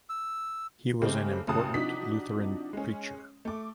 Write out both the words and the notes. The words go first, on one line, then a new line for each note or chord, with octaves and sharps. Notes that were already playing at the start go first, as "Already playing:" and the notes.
He was an important Lutheran preacher.
E6
C#3 G#3 A3 C4 G4
A1 F#2 C#3 A5 D#6 F#6
C3 F3 D4 D#4 F#4 B6
G#3 C#4
A3 D6